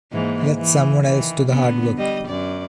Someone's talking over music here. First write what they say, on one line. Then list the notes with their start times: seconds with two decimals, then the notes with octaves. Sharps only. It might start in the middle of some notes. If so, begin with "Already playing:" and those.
Let someone else to the hard work.
0.12 G#2 E3 A#3
0.57 E3
1.04 D#3 E3
1.50 D3 B3
1.98 G3 D#5
2.28 F#2 D5